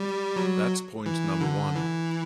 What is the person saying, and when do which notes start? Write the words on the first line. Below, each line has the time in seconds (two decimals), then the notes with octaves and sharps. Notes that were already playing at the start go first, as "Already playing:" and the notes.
That's point number one.
Already playing: G3
0.36 F#3
1.06 E3
1.41 D3
1.76 E3